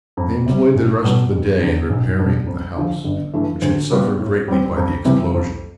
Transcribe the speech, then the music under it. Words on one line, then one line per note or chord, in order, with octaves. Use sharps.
They employed the rest of the day in repairing the house, which had suffered greatly by the explosion.
F2
C3 G3
B1
B2 G3 B3
E1
E2 D3
B1
B2 G3 D4
F2
D3 F3
G1
G2 E3 A3
D2
C3 G3 B3 F4
A2
G3 C4
F2
C3 E3 G3 C4
F2